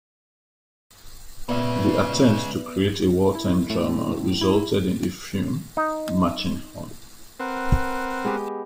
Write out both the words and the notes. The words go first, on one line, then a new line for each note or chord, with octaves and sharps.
The attempt to create a wartime drama resulted in the film "Marching On!".
A#2 C#3 G#3 B3 B4 D5 E5
E4
A2 A3
E4
D#4
C4 A#4 B4 F#5
G#3 B3 G4